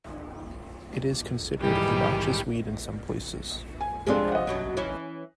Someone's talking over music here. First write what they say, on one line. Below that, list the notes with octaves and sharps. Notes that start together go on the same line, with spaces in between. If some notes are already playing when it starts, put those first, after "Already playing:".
It is considered a noxious weed in some places.
G#2 D#3 E3 G3 G4 G#4
G#5
C3 F3 G#3 C4 D4
D#5 F#5
F#2 B2 F#3
E3 C#4 E4